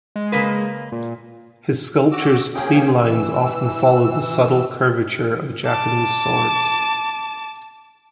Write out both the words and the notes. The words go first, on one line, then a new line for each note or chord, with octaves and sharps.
His sculptures' clean lines often follow the subtle curvature of Japanese swords.
G#3
C#3 A#3 B4
A#2
F#4 D6 E6
A#3 C#4 G#4 G5
E3 E6
A5 D6